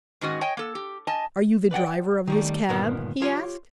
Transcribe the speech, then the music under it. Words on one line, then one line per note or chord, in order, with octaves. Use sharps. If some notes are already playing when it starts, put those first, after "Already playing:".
"Are you the driver of this cab?" he asked.
G#2 D#3 C#4 F#4 D#5
C#5 D#5 G5 G#5
A#3 A4
G4
D#5 G#5 A5
B4 D5 F#5 G5
D#3 G3 A3
D2 G2 A#2 D#3 B3 A#4
F4 G4 C#5